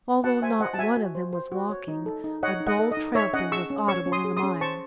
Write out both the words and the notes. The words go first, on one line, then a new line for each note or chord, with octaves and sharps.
Although not one of them was walking, a dull trampling was audible in the mire.
F#4 F#5 A5
C5 E5 G#5
C5 D#5 F#5
A5
F#4 E5 G#5
F#4
C5
C5
F#4
C#5
D#4
A4
D#4
C#5 D#5 F#5
D#4
D#5 F#5
A4
D#5
D#4
C#5 E5
C#4 D#5 F#5
G#4 C#6 E6
C#4
C#5 C#6 E6
C#4
C6 D#6
G#4
C6 D#6
C#4
C5 A5 C#6